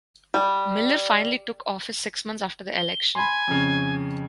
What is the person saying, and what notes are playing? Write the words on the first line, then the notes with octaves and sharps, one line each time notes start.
Millar finally took office six months after the election.
G3
G7
G#5 B5 C6
F2 C#3